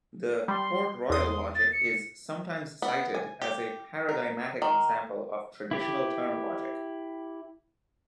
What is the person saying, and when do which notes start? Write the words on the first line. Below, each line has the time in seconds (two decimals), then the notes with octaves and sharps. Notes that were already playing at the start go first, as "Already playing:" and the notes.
The "Port-Royal Logic" is sometimes cited as a paradigmatic example of traditional term logic.
0.48 G3 C6
1.10 E2 C6 D#6
1.55 A6
1.73 C#7
2.82 B3
3.15 G#5
3.42 G4
4.09 A#4
4.62 D#3
5.71 E4 G4